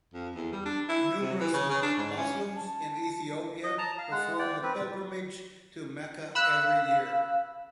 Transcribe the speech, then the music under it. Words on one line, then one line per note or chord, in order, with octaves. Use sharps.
Numerous Muslims in Ethiopia perform the pilgrimage to Mecca every year.
F2
E2
G3
D4
E4
C3
E3
C#3
C#3
D4
G#2
C#4
A5
D#5
A5 A#5
F5
G#3 F#5
D5 G5
C4 B4
F5 B5 E6 F#6